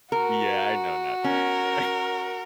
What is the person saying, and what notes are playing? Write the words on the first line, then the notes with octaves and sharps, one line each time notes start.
Yeah, I know, not that, yeah.
F#4 A#4
C#4 A#4